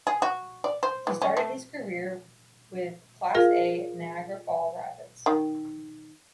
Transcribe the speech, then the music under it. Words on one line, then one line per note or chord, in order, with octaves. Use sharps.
He started his career with class A Niagara Falls Rapids.
G#4
F#4
D5
C5
E3
C#4
A3
F4 G#4 A#4 F5
D#3